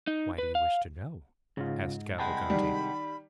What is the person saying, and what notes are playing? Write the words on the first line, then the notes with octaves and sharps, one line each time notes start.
"Why do you wish to know?" asked Cavalcanti.
D#4
B4
F5
G#2 C#3 F4
C2 G#3 F#5 G5 A5 B5
D#3 G3